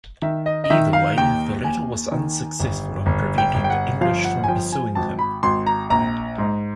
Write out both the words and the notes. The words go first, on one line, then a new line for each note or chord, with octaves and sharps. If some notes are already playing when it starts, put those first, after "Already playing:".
Either way, the letter was unsuccessful in preventing the English from pursuing him.
D#3 E5
D#5
D#5
D#3 E5
F5
D#2 G5
D#2 G#5
D#3
G1
G1
G5
G1
G5
F#5
F3 F5
F#5
G#5
F3 G5
G#5
G#1 A5
B5
G#1 C6
A#5
A#1 A#5
G#2